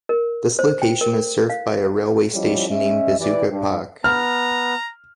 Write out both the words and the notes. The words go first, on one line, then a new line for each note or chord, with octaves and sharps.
This location is served by a railway station named 'Besucherpark'.
A#4
C5
G5
A#4
F5
F3 G3 C#4 E4 C#5 D#5
G#3 C#4 D#5 E5
E3 G4 D5
G2
B3 A#5 F6